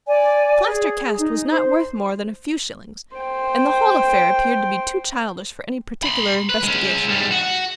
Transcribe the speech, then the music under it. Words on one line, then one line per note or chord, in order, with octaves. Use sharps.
The plaster cast was not worth more than a few shillings, and the whole affair appeared to be too childish for any particular investigation.
D5 G#5
G#4
D#4
C5
C5 G5
B5 C6
B4
G#3 C#4
G#2 G3
F#4